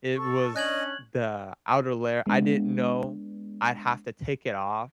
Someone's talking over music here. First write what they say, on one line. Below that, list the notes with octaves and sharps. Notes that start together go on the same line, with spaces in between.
It was the outer layer, I didn't know I'd have to take it off.
A4 C#6
C#4 D4 C#5 D#5 F#6 G#6 F#7
G#3 B3 D4